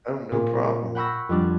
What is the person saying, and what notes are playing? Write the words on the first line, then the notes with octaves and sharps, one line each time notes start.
Oh, no problem.
A#2
F#5 G5 B5 C#6 E6 A#6
F2 G3 D4